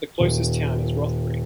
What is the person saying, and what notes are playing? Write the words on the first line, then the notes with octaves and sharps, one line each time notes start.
The closest town is Rothbury.
D#1